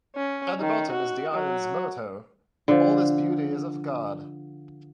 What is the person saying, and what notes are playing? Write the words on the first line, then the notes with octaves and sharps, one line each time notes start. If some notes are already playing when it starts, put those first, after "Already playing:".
At the bottom is the island's motto "All this beauty is of God".
C#4
D#3
F#4
F#3
D3 F3